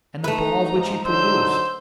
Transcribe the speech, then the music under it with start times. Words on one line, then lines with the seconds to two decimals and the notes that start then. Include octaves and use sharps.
And the balls which he produced!
0.24 A3 D#4 B4 A#5
0.72 G#2 F3
1.05 D3 F#3 D#4 C5 E6 G6